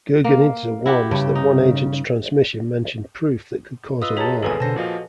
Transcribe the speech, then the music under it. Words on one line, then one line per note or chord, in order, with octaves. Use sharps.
Gurgenidze warns that one agent's transmission mentioned proof that could cause a war.
A#3
E4 F#4 G4
G2 C#3
D#4
F4 B4 D#5 D#6 E6
G4 G#4 C#5 A5 A#5
G#1 E2 B2 G#4 A4 B4 G#5
B2 D3 A4 C5 A5 A#6
A#2 F3 F#4 D#5 F5